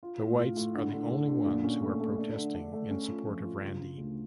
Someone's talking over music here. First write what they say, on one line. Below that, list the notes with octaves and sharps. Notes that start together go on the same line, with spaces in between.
The Whites are the only ones who are protesting in support of Randy.
F4
A2
F4
A2
D3
D3
D3
D3
A#2
C#4
A3
A3
D4
D3
D4
A3
C#4
F4
F3
F4
C#3
C#3
D2